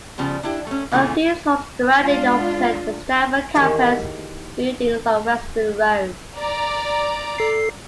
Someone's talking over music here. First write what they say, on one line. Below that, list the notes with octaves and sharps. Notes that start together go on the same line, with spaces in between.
All of these halls are directly opposite the Stafford campus buildings on Weston Road.
C#3 F3 G3 B3
D4 E4 G4
A3 C#4
A#2 C#3 E3 A3 B3 G#4
G#3 D4 F4
D#3 E3 A#3 G4 G#4
D5 A#5
A4 C7